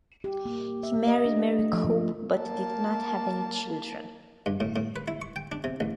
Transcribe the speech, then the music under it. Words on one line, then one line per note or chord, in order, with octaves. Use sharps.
He married Mary Cope but did not have any children.
G4
A#3
E5
D#5
D4
A3
F3
A#3 A5
G2
A2
A2
B4
E4
C#6
G5
D4
C3
A1